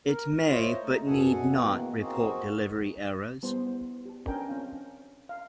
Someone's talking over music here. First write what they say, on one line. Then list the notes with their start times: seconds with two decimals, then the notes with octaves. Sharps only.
It may, but need not, report delivery errors.
0.06 A#4
0.49 E4 F4 C5 C#5 D#5
0.82 A3 D#4
1.07 F#2 B2 G#4 A4 F#5 G#5
1.49 B2 D#3 E3 A#3
2.01 A#3 C4 D#4 F#4 G#4
3.43 G3 B3 E4 C5
4.05 G4 A5
4.26 C#4 D4 A#4 B4 G5 G#5
4.49 C4 C#4 F5
5.29 F5